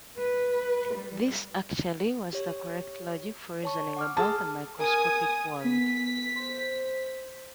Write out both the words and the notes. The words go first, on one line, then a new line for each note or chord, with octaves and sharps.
This, actually, was the correct logic for reasoning about the microscopic world.
B4
G3
G4 C#5
C#5 A5 C#6
F#5 D6 F6
G#4 A5
A#4 G#5 D#6
B3 B6
C5